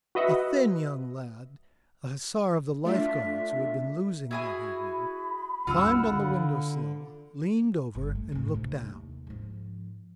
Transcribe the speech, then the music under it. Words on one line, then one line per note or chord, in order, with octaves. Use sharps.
A thin young lad, an hussar of the Life Guards, who had been losing that evening, climbed on the window sill, leaned over, and looked down.
F#4 B4 D#5 E5 F#5
A3 D4 F4 E5
E4 F#4 G#4 G#5 B5
C#2 G2 C#3 F4 F#5 E6
D3
G1
A3
D2 A2
D2 C3
D#2
G#2 F3